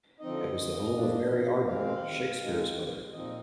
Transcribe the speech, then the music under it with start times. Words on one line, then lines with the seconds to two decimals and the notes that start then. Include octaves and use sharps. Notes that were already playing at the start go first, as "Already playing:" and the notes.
It was the home of Mary Arden, Shakespeare's mother.
0.20 D3 F3 C4 D#4 D#5
0.94 F3 A#3 D4
1.67 D#3 G#3 C4 F5
2.40 D#3 G#3 D#4
3.13 A#2 F3 C4 D#4 D#5